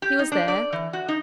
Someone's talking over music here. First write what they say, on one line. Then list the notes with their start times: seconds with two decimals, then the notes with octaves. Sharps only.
He was there?
0.02 G4
0.19 D#4
0.32 D4
0.48 D5
0.73 E3
0.93 F#4
1.08 D#4